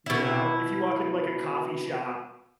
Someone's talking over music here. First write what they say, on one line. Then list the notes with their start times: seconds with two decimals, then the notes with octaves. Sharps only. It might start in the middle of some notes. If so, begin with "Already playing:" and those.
You know? If you walk into, a coffee shop
0.06 B2 E4